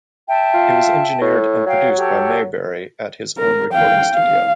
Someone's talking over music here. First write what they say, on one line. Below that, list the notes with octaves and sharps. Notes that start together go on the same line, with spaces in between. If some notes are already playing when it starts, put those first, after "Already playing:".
It was engineered and produced by Maybury at his own recording studio.
E5 G5 A5
F4
A2
F#3 C#5 F5 G5
G4 A4 C#5
A#4
F5 G5
F5